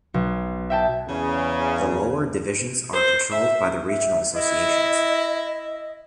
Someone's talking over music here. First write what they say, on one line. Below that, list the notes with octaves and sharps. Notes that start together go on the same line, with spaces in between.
The lower divisions are controlled by the regional associations.
B1
E5 G5 A5
E2 C#3
C5
E5
E5
E4 D#5